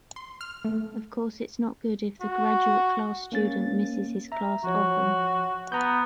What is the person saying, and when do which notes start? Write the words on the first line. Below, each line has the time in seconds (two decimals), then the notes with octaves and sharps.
Of course it’s not good if the graduate class student misses his class often.
0.16 C6
0.41 F6
0.65 A3
2.21 F#4
3.32 A#3 C#4 A6
4.32 E5 A#5
4.64 F3 F#4 C#5
5.72 B3 A#5 B5 G6